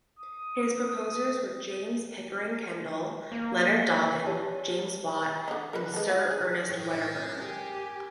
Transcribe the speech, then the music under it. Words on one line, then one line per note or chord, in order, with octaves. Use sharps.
His proposers were James Pickering Kendall, Leonard Dobbin, James Watt, and Sir Ernest Wedderburn.
D#6
D#6
A#3
G4 C#5 D5 G#5 A5
D3 D#4
A#4 B4
G#3 A4
F4 F#5
G#4
A2 G#3 C#4 G5
G4 G#4 A#4 G#5